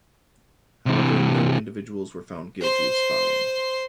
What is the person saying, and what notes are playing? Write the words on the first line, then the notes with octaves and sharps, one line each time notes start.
However, no individuals were found guilty of spying.
C3 E3
C5 C6